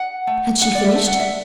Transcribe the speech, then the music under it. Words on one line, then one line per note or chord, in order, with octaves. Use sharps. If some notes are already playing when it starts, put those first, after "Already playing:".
Had she finished?
Already playing: F#5
A3
D3 F#5
D5
E5
A3
F#5
E5